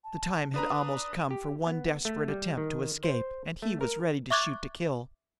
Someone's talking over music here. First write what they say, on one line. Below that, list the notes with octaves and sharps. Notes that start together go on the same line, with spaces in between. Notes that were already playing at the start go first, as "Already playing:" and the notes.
The time had almost come for one desperate attempt to escape, and he was ready to shoot to kill.
A5
D4 B4 A#5 D#6
G4
B3
A3
G3
D#3
C5
A3
A#4
E5 C#6 D6 F#6 G#6 A6